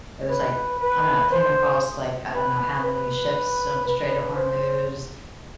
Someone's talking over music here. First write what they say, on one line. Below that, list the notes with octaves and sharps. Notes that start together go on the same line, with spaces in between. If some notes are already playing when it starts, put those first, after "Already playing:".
it was like, I don't know, it came across like I don't know how many ships on the Strait of Hormuz
B4
B4
C5
B4
B4
B4
C5